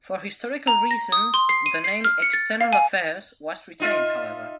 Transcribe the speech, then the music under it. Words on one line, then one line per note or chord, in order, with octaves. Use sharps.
For historical reasons the name External Affairs was retained, however.
A#5
A#6
D#6
C6
C7
D#7
C7
F6
C#7
A6
F5
G#5
D#4 F4 E5